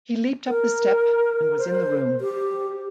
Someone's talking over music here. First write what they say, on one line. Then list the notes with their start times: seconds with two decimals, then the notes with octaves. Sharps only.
He leaped up the step and was in the room.
0.47 A#4
1.58 C5
2.21 G4